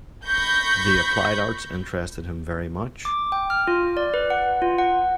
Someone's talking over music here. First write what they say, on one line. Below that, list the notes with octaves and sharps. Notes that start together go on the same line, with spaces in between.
The applied arts interested him very much.
B5 C#6 G6 A#6
D6
G5
F6
F4
D5
B4
F#5
F4
F#5